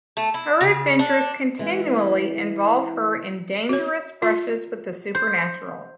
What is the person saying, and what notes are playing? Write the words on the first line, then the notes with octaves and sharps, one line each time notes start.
Her adventures continually involve her in dangerous brushes with the supernatural.
A3
E4
C#3
D4
E3 G#3
F#4 C#5
F4
C5